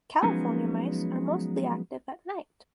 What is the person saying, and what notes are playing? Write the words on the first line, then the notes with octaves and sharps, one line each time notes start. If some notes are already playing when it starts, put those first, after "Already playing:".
California mice are mostly active at night.
F3 F#3 G#3 B3 C#4 D#4